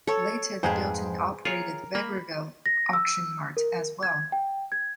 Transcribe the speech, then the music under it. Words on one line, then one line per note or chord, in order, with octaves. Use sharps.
Later they built and operated the Vegreville Auction Mart as well.
A4 C#5
F2 G#2 G#3 G#4 B4 C5
F4 G#4 A#4 C#5
A#3 B5
A#6
E6
A#4
G#6
G5
G#6